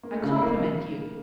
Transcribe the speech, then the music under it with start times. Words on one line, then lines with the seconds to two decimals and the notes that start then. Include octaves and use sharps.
I compliment you!
0.03 A#3
0.13 A3
0.23 C#3 G#3
0.36 C#4
0.42 A#3
0.50 D#4